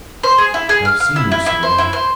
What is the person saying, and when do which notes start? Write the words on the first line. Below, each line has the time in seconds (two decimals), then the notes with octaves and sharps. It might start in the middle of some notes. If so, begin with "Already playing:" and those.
"I have seen you somewhere."
0.23 C5
0.38 G#4
0.54 E4
0.69 G#4
0.85 F5
1.00 F5
1.16 E4
1.32 E4
1.46 E4
1.63 C5
1.78 E4
1.93 C5